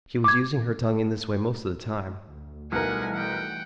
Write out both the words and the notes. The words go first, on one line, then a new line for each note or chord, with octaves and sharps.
She was using her tongue in this way most of the time.
D6 G#6
D2
B1 E3 G3 A3 A#4 F#5 G#5
F#5 G5